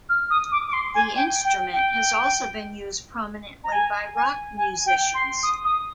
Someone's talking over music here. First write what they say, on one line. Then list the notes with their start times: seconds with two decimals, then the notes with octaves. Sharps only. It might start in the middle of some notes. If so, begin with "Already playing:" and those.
The instrument has also been used prominently by rock musicians.
0.09 F6
0.30 D#6
0.52 D6
0.67 D6
0.73 C6
0.94 G#5
1.16 G5
1.45 G5
1.73 G5
3.64 A#5
3.72 G#5
4.15 G#5
4.58 G#5
4.86 G5
5.14 C6
5.43 D#6
5.65 D#6